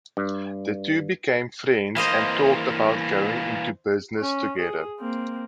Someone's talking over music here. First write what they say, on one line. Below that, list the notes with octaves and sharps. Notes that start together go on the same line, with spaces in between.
The two became friends and talked about going into business together.
G2
E3 A#3 C5 D#5 F5
C#4
G#4
A#3 C4